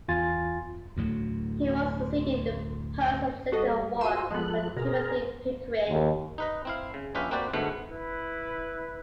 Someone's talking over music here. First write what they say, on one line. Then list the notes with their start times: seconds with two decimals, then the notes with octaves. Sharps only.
He was succeeded in the post of Secretary of War by Timothy Pickering.
0.08 E2 F4 G#5 A6
0.97 D2 A2 F#3
3.52 G3 F#4 A4 D#5
4.01 F4 F#4 C5 E6 D#7
4.31 F3 G#3 B3 A4 F#6
4.77 B2 G#4 A#4 A#5
5.88 D#2
6.38 D#4 B4 D#5
6.65 C4 E4 F5
6.94 C#3
7.15 A#1 C#4 F4 G4 B4 E5
7.31 A#3 C4 F#4 G4 B4 D5
7.53 D2 G#2 A3 B3 F#5
7.91 E4 B4